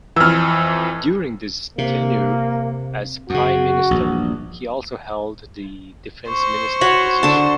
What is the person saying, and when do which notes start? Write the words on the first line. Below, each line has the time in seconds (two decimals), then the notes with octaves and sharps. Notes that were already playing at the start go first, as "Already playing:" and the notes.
During this tenure as prime Minister, he also held the Defense Minister position.
0.16 F2 E3 E6 F6
1.78 C3 A#3
3.30 F#2 C#3 F#4
3.91 A#1 E2 G2
6.29 C5 C#6
6.81 F#4 C#5 B5
7.23 D3 A5